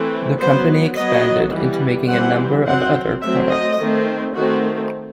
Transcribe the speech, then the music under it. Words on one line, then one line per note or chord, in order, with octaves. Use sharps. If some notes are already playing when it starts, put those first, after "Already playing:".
The company expanded into making a number of other products.
Already playing: E3 A3 C4
F#3 B3 C5
F#3 B3 D#5
E3 G3 B3
E3 G3 C4 F#5
F#3 C4 F#5
F#3 A3 C4 E5
D#5
D#3 A3 C4
D#3 A3 C4 F#4